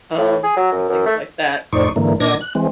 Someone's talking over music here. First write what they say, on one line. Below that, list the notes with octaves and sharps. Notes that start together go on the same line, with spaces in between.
um, or things like that. So,
A2
G#4
F#3
F#2
F#2
A3
F2 A2 D#4 C5 D5 C#6
G#2 D3 E3 A#3
A#2 D4 D6 G#6 A#6
F#6
E3 G#3 C4